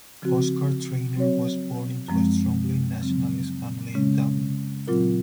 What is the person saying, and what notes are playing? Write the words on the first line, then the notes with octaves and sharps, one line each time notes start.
Oscar Traynor was born into a strongly nationalist family in Dublin.
C#3 F3 C4 F#4
F#3 C4 F#4 C#5
F#2 F3 G#3 C4
C#3 F#3 C4
C#3 G#3 C#4
A#2 F#3 C4 F4 A#4